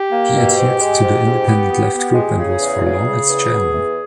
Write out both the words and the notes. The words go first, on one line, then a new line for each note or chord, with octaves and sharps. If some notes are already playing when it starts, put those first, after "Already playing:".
He adhered to the Independent Left group, and was for long its chairman.
Already playing: G4
A#3
B2
G#2
G#3
G#2
G#2
B3
B3
B3
G#3
C#3 G#4
E2
C#3
C#3
E2
B2
E2